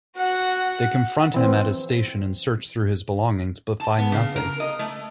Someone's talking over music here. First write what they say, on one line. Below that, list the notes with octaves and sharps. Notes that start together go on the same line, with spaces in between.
They confront him at his station and search through his belongings but find nothing.
F#4 F#5
E3 C4
A5
B3
C#3
A#4
D#5
A3